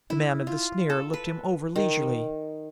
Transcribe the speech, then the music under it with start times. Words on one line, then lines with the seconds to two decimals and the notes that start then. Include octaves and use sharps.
The man of the sneer looked him over leisurely.
0.10 E4
0.47 F4
0.90 A4
1.14 B4
1.76 D#3